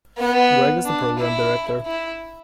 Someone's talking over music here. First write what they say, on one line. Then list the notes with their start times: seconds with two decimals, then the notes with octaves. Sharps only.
Greig is the Program Director.
0.18 B3
0.85 D4
1.19 E4
1.86 E4